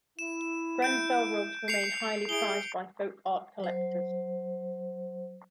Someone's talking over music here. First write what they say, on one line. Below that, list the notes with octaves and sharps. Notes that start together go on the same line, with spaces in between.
Grenfell rugs remain highly prized by folk art collectors.
E4 E7
G6 D7
C7 C#7 F7
E4 G#4 D7 G7
F#3 C5